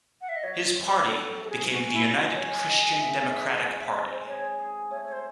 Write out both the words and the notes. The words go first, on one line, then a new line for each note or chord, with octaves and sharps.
His party became the United Christian Democratic Party.
F#5
E5
D#5
F#3 C#5
C4
F#3 A4
A4
C3 A4
G#4
C#4 F#4
E4
D#3
F#4
C#4 C#5
G#3 D#5
G#2 E5
G#2 E5
C4 F#5
E5
C4 D#5
C5
G#4 C#5
G#4
A3 C#5
C#5
C5